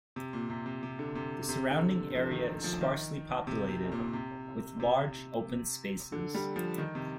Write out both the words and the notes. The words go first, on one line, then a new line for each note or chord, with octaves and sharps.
The surrounding area is sparsely populated, with large open spaces.
C3
A#2
C3
C3
C3
D3
C3
C3
D3
F3
D#3
F3
D#3
C3
C3
A#2
C3
C3
D3
G3
F3
D#3
C3